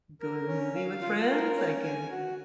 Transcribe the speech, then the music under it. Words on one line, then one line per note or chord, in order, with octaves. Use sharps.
go to the movie with friends, I can
A#4
C#4
F5
F4
A#4
C#4
G#5
F#4